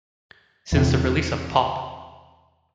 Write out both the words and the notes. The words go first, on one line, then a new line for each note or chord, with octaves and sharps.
Since the release of Pop!
E2 C3